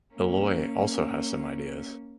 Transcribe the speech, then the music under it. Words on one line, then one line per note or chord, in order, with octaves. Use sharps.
Eloy also has some ideas.
A#3 C#4